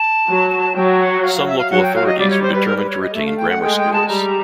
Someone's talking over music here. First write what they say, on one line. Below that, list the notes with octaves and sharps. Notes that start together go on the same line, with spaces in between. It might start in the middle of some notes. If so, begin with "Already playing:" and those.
Some local authorities were determined to retain grammar schools.
Already playing: A5
F#3
F#3 G5
G5
F#5
F5
F5
E5
F5
F#3 F#5
G5
F5
D#5
G3 D5
C#5
C5
B4
G3 A#4
B4
C#5
D#5
A3 E5
F5
G5
F#5
G#3 G5
G5
A5
G3 A#5